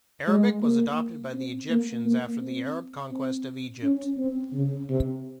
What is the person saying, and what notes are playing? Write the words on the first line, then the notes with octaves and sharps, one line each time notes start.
Arabic was adopted by the Egyptians after the Arab conquest of Egypt.
G#3
A#3
C4
A#3
A#3
C4
C4
C#4
C4
C#3
C3